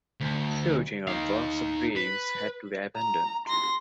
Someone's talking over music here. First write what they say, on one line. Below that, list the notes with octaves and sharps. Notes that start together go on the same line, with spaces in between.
Shooting on "Box of Dreams" had to be abandoned.
D2
D#4 F5
B4
A#5
C6 A#6